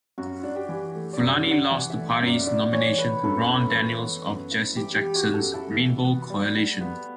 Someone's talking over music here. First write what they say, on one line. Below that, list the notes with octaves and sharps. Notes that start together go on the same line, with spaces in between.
Fulani lost the party's nomination to Ron Daniels of Jesse Jackson's Rainbow Coalition.
F#2 F#4
D4
G4
E3
A3
D5
F#2
F#5
D4
F#5
E3
E5
A3
E5
F#2
D5
D4 D5
E3 C#5
A3 B4
F#2 A4
E4
E3
B3
F#2
E4
E3 G4
G4
B3
F#4
F#2
A4
E4 A4
E3
B3
G3
G3
B3